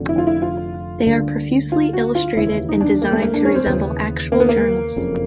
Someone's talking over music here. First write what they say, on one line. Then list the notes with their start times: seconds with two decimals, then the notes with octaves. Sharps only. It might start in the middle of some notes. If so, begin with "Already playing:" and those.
They are profusely illustrated and designed to resemble actual journals.
Already playing: F1 F2 D3
0.09 E4
0.18 F4
0.27 E4
0.42 F4
1.07 D2 D3 G3 A#3
1.72 F4
1.93 F#4
2.15 F4
2.36 F1 D#2 C#3 E3 E4
2.69 D#4
2.81 D4
3.02 A#3
3.12 A3
3.22 A#3
3.34 D4
3.45 C#4
3.55 C4
3.66 D#2 C#3 E3 B3
4.32 A#3
4.40 B3
4.49 A#3
4.96 F#1 F2 C#3